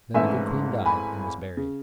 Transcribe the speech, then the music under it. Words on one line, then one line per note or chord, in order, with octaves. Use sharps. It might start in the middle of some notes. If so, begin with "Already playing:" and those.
Then the good queen died, and was buried.
G#1 G#2 E3 A3 C#4 E5 G#5
G#5 B5
C#3